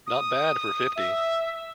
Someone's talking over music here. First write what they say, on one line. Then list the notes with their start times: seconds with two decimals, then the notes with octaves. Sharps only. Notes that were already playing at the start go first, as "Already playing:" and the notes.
Not bad for fifty.
0.07 D#6
0.96 E5